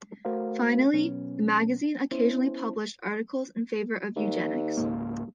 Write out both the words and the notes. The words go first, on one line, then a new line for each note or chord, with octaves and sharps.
Finally, the magazine occasionally published articles in favor of eugenics.
A3 F#4 A#4 C5 F5
B2 F#3 B3 C#4
B3 C#4 E4 C5
D#2
C#2 G#2 A#3